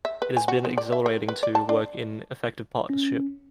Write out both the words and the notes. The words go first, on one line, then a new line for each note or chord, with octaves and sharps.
It has been exhilarating to work in effective partnership.
E5
B4
G#5
F#4
B3
D5
E5
A#4
B4
D5
A5
D4
C#4